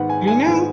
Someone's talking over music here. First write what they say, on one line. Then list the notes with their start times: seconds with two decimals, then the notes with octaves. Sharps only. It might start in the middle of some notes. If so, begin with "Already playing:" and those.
I know.
Already playing: G#2 D#3 B3 F#5
0.10 G#5
0.27 G#5
0.46 G#2 D#3 B3 G#5